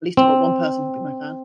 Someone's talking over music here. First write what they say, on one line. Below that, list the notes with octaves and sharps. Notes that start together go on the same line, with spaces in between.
At least I've got one person who will be my fan.
C4